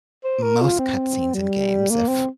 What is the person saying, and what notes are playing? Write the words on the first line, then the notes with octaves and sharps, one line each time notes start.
Most cut scenes in games, if
C5
A#4
F4
C4
G3
A#3
C4